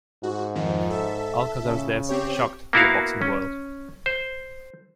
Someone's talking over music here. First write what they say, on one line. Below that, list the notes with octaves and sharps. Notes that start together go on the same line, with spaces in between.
Alcazar's death shocked the boxing world.
G#2 F#4
F2 D#3 F3
A4 E5
C#3
C4 G4 C#5
A#3 B3 E4 F#4 A#4 F5
C#4
C5